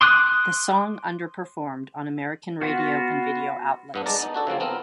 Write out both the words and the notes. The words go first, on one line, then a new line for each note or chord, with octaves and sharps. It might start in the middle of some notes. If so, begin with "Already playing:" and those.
The song underperformed on American radio and video outlets.
C6 D6 D#6 F#6
B3 F4 F#4
G2 B3 D4
G#3 D5 A5 A#5
B3 D#4
D4 F#4 A4
C#3 F3 A#3 C4
B3 C4 A#4